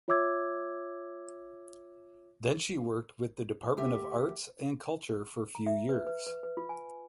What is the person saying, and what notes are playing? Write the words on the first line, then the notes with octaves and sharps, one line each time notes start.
Then she worked with the department of Arts and Culture for few years.
F4 C#5 E5 D6 E6 G#6
D2 G4 E5
A#5
E5
B4
B4
B4
B4
F4
G#5